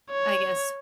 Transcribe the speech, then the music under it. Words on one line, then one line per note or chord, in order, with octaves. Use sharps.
I guess,
C#5